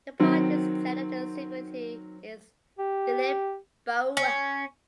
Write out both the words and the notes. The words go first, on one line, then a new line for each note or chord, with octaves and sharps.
The party's general secretary is Dilip Barua.
D#3 F#3 C4
G4
C#4